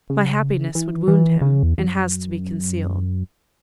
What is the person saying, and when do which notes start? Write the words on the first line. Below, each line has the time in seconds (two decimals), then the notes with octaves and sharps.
My happiness would wound him, and has to be concealed.
0.10 C#3
0.75 E3
1.08 E3
1.41 C#3
1.63 E2
1.78 E2
1.85 F#2